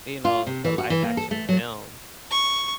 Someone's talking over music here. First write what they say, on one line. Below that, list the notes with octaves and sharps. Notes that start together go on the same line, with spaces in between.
you know, the live action film.
F4
C3
E3
F#4
E3
A#3
A4
A3
F#3
C#6